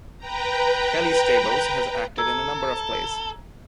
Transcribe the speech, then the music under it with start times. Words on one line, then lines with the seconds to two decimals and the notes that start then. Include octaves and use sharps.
Kelly Stables has acted in a number of plays.
0.18 B4 G5 A#5
2.18 A4 A#5 E6 G#6